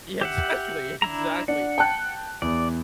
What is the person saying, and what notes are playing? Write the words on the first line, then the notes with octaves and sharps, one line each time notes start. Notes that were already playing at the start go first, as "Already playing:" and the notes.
Yeah, exactly. Exactly,
G4 E5 F#5
D4 E4 A#5
D4 F#5
G5 A5 F#6
E2 D5